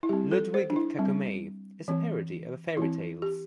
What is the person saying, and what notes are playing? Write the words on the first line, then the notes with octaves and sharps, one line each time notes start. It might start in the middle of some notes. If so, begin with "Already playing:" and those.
"Ludwig Kakumei" is a parody of fairy tales.
E4
G3 C4 G4
A4
C5
D4
E4
G3 C4
E3 C4
E3 C4 E4
G4